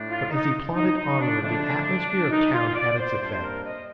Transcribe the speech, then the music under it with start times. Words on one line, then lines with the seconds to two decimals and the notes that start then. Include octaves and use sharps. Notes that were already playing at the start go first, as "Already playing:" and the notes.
But as he plodded onward the atmosphere of town had its effect.
Already playing: A2 A3 D4
0.08 F4
0.31 D#4
0.75 D#4
0.97 D#4
1.20 D4
1.42 F2 D3 F3 A3 D4
2.31 D#4
2.53 F4
2.75 D5
2.98 C5
3.20 C3 G3 A#3 D4 C5
3.42 A#4
3.64 D#5